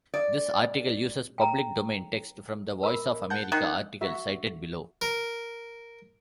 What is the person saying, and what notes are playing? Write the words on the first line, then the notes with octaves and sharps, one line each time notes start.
This article uses public domain text from the Voice of America article cited below.
D5
G5 A#5
A#4 B5
F#5 A5 G6
D#3 F#6
F#4 E5
A#4